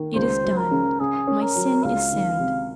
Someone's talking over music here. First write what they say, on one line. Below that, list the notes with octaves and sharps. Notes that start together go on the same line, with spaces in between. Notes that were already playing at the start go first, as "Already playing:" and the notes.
It is done--my sin is sinned.
Already playing: D#3 A#3
C#2 C5
F#3
A#4
C#3
C#3 G#4
C#4
A#4
F#3
C#2 F5
D#3
C3